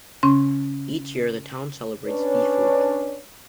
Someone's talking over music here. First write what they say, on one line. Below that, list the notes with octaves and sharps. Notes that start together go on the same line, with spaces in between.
Each year the town celebrates Beef Week.
C#3 C#4 C6
C#4 D4 B4 C#5